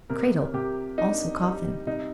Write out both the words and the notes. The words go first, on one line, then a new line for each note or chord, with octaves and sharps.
Cradle; also coffin.
C3 A#4
C3 G4
D4 D#4
G3 D#4
C3 D#4